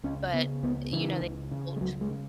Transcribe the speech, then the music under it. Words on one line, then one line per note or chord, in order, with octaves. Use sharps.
but, you know, they mulch?
C#2 C#4
C#3 B3
C#2 B3
C#3 E3
C#2
C#3
G#3
C#2 F#3
G#3
C#3